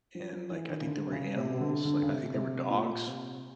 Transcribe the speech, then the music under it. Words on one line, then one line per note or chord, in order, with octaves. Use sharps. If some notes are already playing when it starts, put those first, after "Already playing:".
and, like, I think there were animals, like, I think there were dogs,
F3
F3
E3
D#3
C#3
D3
C3
C#3
C3
D3
D3
C#3
C3
C3
A#2
C3